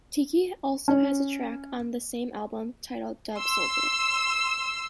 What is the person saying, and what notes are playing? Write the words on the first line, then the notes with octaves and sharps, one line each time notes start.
Tiki also has a track on the same album titled Dub Soldier.
C#4
C6 E6